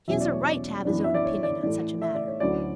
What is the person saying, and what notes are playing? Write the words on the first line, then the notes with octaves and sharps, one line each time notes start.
"He has a right to have his own opinion on such a matter."
E2 B2 F#3 C#4 E5
D5
C#5
D5
F#2 E3 B3 D4
E5
D5
C#5
D5
A2 E3 A3 D5
E5
D5
C#5
D2 D3 F#3 C#4 E4 D5